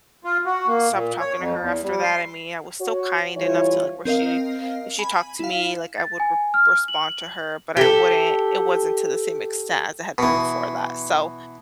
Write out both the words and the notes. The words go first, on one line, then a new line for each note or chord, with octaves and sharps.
stopped talking to her after that, I mean, I was still kind enough to like where she if she talked to me, like I would r respond to her, but I wouldn't it wasn't to the same extent as it had been before that, so
F4
F#4
A#3
A#2
C#5
F2
E2
G3
C6
F#4 C#5
E3 G3 E4 F4 C#5
C4 A#4 D#5 F5
G#5 B5
E4 F5
A6
G#5
F6
F#7
G4 A4
B2 E3